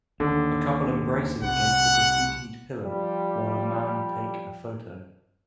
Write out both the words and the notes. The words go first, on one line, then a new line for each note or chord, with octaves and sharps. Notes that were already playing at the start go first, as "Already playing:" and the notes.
A couple embraces against a graffited pillar while a man take a photo.
D#2 D3
C2 F#5
F3 G3